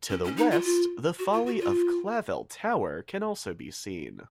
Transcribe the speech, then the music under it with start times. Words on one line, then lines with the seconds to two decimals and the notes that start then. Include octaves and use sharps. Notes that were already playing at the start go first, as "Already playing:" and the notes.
To the west, the folly of Clavell Tower can also be seen.
0.10 C#4
0.24 C#4
0.37 D#4
0.51 F4
0.65 F4
1.19 F#4
1.33 F4
1.46 F#4
1.60 F4